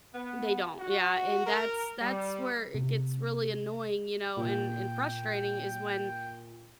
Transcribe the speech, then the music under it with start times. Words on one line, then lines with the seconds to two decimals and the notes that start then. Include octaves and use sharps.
They don't, yeah, and that's that's where it gets really annoying, you know, and and frustrating is when
0.14 B3
0.79 F#4
1.45 A#4
2.00 G3
2.74 C3
4.36 A#2 G5